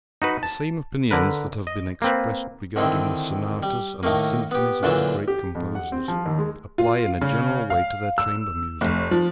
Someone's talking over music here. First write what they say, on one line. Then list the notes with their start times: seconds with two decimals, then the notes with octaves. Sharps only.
The same opinions that have been expressed regarding the sonatas and the symphonies of the great composers apply in a general way to their chamber music.
0.22 D#4 F#4 B4
0.43 A5
1.11 D3 A#4 B4
1.67 D#5
2.02 A#3 C4 B4
2.76 D3 D#3 C4 E4
3.63 G3
4.03 A2 D#3 A3 A#3
4.51 B3 G4
4.83 D2 A#2 D3 E3 F#3 A5
5.28 G4
5.55 F2
5.75 F#5
5.92 C4
6.08 F3
6.26 D#2
6.39 G#3
6.78 F4
7.21 C#3
7.70 F5
8.18 E6
8.81 F1
9.11 F3